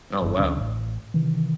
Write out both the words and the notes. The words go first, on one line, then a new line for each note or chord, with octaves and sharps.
Oh wow.
F#1 G2
D2 D3 C#4
A1
C3 D#3 E3